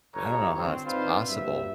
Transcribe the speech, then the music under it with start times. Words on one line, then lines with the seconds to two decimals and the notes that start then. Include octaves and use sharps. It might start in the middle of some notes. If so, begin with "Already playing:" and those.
I don't know how it's possible.
0.15 G1 D2 A4 C#5 A#5
0.57 D3 C4
0.85 C4 D4 D#4 F4 B4 C5
1.27 G2 A#2 F#3 E5